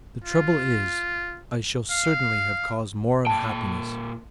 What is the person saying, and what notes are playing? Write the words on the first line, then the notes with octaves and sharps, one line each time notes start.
The trouble is I shall certainly have caused more unhappiness....
F4
F5
A#2 G5 A5